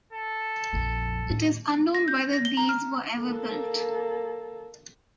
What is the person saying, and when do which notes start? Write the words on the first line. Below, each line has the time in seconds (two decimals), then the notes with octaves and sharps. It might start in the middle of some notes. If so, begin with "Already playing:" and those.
It is unknown whether these were ever built.
0.13 A4
0.73 A#1 F2
1.26 D#2 A2
1.95 A#6
2.08 G6
2.33 A#6
2.45 G7
2.57 A#5
2.69 F6
3.21 A#3 A4